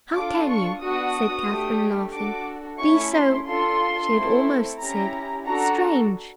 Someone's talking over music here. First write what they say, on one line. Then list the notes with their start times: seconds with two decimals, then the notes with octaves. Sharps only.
"How can you," said Catherine, laughing, "be so--" She had almost said "strange."
0.13 D4 F4 A4 D6
0.47 C#6
0.80 B3 D4 F#4 D#6
1.47 A3 D4 G4
2.13 D4 F#4 A4 D6
2.80 A3 C#4 E4 C#6
3.14 C6
3.47 D4 F4 A4 C6
4.14 A3 C4 E4 A4
4.80 C#4 E4 G4 A#5
5.47 D4 F#4 A4 A#5